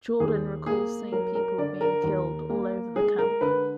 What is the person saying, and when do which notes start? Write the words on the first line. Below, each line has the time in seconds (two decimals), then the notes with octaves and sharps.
Jordan recalls seeing people being killed all over the camp.
0.20 D#2 G#4
0.66 A#3 G#4
1.12 F#3 A#4
1.35 A#4
1.58 D3 D5
1.81 A#4
2.04 D#2
2.50 A#3
2.96 G#3 G#4
3.18 A#4
3.41 D3 B4